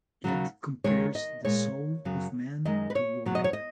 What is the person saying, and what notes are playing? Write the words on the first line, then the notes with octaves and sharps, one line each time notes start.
Goethe compares the soul of man to water.
D#2 C#3 F#3
D#2 D#3 G#3 C#5
D#5
A#2 G#3 C#5
F#2 C#3 F#3
F#2 D#3 G#3 D#5
B4
C#5
E2 B2 F#3
D#5
C#5
D#5